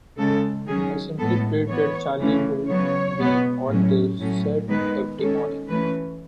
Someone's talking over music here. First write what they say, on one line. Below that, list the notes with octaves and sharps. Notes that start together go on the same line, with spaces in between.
I simply prayed that Charlie would be on the set every morning.
C#3 G#3 C#4 A4
D#3 F#3 C#4 G#4
A2 G#3 B3 A4
E3 B3 C#5
C#3 E3 A3 C#4
C#3 F#3 B3 C#5
B2 G#3 B3
A2 F#3 C#4
A2 F#3 A3 C#4
D#3 G#3 B3 B4
D#3 G#3 C#4 A4
E3 A3 C#4 B4